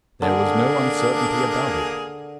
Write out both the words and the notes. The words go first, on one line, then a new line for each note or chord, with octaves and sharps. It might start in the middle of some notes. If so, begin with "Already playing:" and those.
There was no uncertainty about it.
D3 A#3 D4 G#4